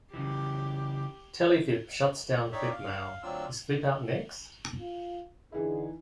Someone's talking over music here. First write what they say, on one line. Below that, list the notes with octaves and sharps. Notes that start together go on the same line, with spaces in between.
Teleflip Shuts Down Flipmail, Is Flipout Next?
C#3 E3 G4
D4 D#4 G4 C#5 D5 E5
F5
D2 F#3 C4 D4 F4 E6
F4
D3 E3 D#4 E4 G#4